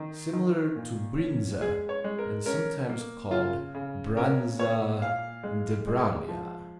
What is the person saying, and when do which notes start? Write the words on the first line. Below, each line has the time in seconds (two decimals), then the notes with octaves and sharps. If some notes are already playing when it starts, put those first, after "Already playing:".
Similar to Brinza and sometimes called Branza de Bralia.
Already playing: D#3
0.33 D#3
0.76 A#2
1.18 C#4
1.61 G#3 G#4
1.89 C#5
2.04 G#3
2.19 A#4
2.46 C#4 A#4
2.89 A#3
3.31 C#3 F4
3.75 C#3
4.17 C#4 A#4
4.59 A#2 C#5
5.01 A#2 F5
5.43 G#3
5.87 G#3
6.29 F3